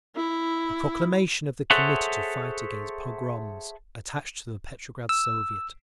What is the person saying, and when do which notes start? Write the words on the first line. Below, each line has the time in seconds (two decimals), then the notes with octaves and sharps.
A proclamation of the Committee to Fight against Pogroms, attached to the Petrograd Soviet.
0.16 E4
1.70 G#4 A4 C5 C#5 E5 F#5
5.09 E6